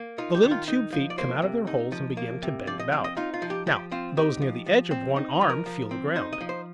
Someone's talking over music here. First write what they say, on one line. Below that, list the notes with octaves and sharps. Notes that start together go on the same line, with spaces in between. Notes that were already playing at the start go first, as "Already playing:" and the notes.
The little tube-feet come out of their holes and begin to bend about. Now those near the edge of one "arm" feel the ground.
Already playing: A#3
D#4 F4
G4
D#3
F4
D#4
F3
D5
A#3 C5
C3
D#4
F3
A#3
C3
F3 D5
D#5
C4 F5
D#5
D#4 F4
F4
F3
G4
F3 G4
C4 F4
D#4 G4
F3
F3
C4
D#4
F3
A#4
F3
C4
D#4 C5
D#5
F3
C5